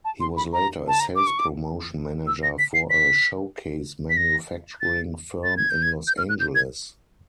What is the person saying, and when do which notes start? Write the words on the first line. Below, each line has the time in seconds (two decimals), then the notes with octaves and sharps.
He was later a sales-promotion manager for a showcase-manufacturing firm in Los Angeles.
0.05 A5
0.20 C6
0.37 B5
0.53 A#5
0.88 A5
1.00 A#5
1.16 D6
1.27 C#6
1.39 D6
2.27 E6
2.43 A#6
2.59 B6
2.74 C7
2.90 B6
4.10 B6
4.17 A#6
4.81 A6
5.44 A6
5.57 G#6
5.70 G6
5.83 G#6
6.08 G6
6.18 F6
6.29 F#6
6.40 G6
6.55 G#6